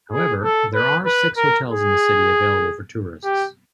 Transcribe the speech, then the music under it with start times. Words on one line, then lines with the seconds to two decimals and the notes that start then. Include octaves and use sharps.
However, there are six hotels in the city available for tourists.
0.12 G#4
0.43 A4
0.74 B4
1.06 B4
1.37 A#4
1.68 G#4
3.24 G4